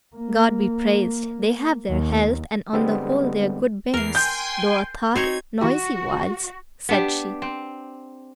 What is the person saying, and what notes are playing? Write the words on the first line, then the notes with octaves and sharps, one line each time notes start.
"God be praised, they have their health; and on the whole they are good bairns, though a thought noisy whiles," said she.
A#3
D#2
D3 G3 G#3 B3 C4
E2 A#4 C7
G5 G#5 C6 G6
C4 D#4 F#4 C#5 G#6
E3 E4 F#4 G4
B3 D4 G4
C4